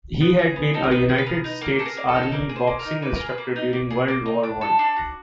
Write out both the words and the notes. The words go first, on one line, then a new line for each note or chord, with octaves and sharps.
He had been a United States Army boxing instructor during World War One.
B3
G#4
B3
D#4 A4
A#4
B3 B4
G#4 A#4
B4
B3 A#4
D#4
A#3 A#4
G#4 A4
A#4
A#3
A4
D#4
A4
A#3 A#4
G#4
C5
A#3
A#4
D#4
A#3 B4
G#4 A#4
B4
A#3
D#4
A#3
G#4
A#3
D#4
D4
A4
D4
F#4